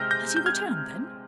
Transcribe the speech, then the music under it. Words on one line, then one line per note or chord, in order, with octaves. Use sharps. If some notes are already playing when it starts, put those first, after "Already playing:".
"Has he returned then--?"
Already playing: C3 G#3 F6 G6 A#6
G6 A#6
G6
F6 G#6